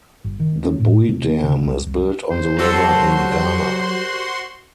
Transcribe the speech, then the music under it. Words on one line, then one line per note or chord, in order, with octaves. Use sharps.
The Bui Dam is built on the river in Ghana.
G1
D#3
C#4
A2
C3
A#3
C#3
C2
C2
C5
F#3 F#4 G4 A4 C6